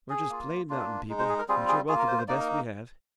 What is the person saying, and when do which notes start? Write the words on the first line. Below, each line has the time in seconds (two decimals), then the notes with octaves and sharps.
We're just plain mountain people, but you're welcome to the best we have.
0.10 G#4
0.30 A#3 F4
0.69 A#3 D4 F4
1.09 G#3 D#4
1.19 C5
1.29 G#4
1.39 A#4
1.49 G3 C4 F4 G#4
1.69 G#4
1.88 F4 G#4
1.92 A#3
1.98 A#4
2.08 C5
2.18 C5
2.28 A#3 D#4 D5
2.40 A#4